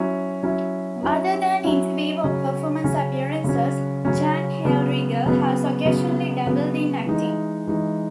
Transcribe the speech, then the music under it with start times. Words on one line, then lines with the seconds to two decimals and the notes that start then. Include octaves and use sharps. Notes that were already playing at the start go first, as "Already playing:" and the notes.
Other than interview or performance appearances, Jan Hellriegel has occasionally dabbled in acting.
Already playing: F#3 C#4 E4
0.43 F#3 C#4 E4
1.03 F#3 C#4 E4
1.64 F#3 C#4 E4
2.24 C#3 F#3 C#4
2.84 C#3 F#3 C#4
3.44 C#3 F#3 C#4
4.05 C#3 F#3 C#4
4.65 C#3 F#3 B3
5.26 C#3 F#3 B3
5.85 C#3 F#3 B3
6.46 C#3 F#3 B3
7.06 E3 G#3 D#4
7.67 E3 G#3 D#4